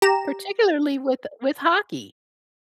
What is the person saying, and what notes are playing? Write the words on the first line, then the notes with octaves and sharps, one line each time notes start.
Particularly with with hockey.
G4 A#5 E7